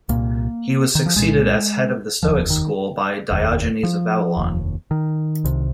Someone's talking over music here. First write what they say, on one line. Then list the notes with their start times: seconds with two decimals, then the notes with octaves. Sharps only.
He was succeeded as head of the Stoic school by Diogenes of Babylon.
0.09 C2 A#2 A#3
0.95 D#3
1.06 F3
1.16 C2 A#2 G#3
2.23 F1 D#2 F3
2.50 D#3
3.31 F1 D#2
3.83 F3
4.37 F1 D#2
4.91 D#3
5.44 C2 C3